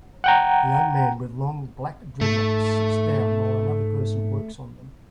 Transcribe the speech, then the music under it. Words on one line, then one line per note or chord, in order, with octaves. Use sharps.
A young man with long black dreadlocks sits down while another person works on them.
F#5 G5 A#5
G#2 A3